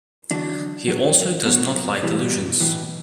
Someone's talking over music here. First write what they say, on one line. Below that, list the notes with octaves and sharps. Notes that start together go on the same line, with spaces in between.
He also does not like illusions.
E2 D3 F#3 D4
G2 F#3
G2 F#3 B3
B1 A2 E3 G3
B1 A2 E3